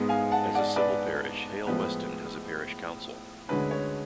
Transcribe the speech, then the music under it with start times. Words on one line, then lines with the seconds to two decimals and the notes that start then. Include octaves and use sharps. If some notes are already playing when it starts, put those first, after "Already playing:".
As a civil parish, Hail Weston has a parish council.
Already playing: G#2 G#3 B3
0.08 F5 G#5
0.31 F#5 A5
0.55 D5 F#5
0.76 B4 D5
1.67 A2 F3 G#3 B3 B4
3.49 D2 D3 G#3 C#4 B4
3.71 C#5